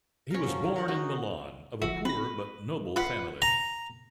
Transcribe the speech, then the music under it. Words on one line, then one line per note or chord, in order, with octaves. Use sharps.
He was born in Milan of a poor but noble family.
C#4 A#4
F3 F#3
D#3
A#4 F#5
C#4 D#4 F#4 G#4
G1 F3 F#4 E5
C4 B4 A#6
F4 B4 F#5 B6 C7
A#5